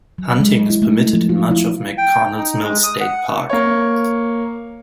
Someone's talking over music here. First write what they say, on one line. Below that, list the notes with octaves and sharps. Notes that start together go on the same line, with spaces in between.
Hunting is permitted in much of McConnells Mill State Park.
F#3
G#3
E4
A3
F3
F4
E4
G5
D#4
G#3
D#6
F#5
A#3 C#5